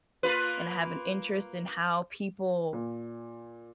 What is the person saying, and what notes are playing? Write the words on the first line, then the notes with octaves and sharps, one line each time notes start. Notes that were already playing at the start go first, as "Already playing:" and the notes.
and I have an interest in how people
A#3 F4 B4
A#2